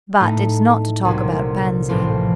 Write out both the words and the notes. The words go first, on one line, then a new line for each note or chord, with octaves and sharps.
"But it's not to talk about Pansy."
A2 A3 D#4
C2 A#2 F#3
A1 A2 F3 C4 F4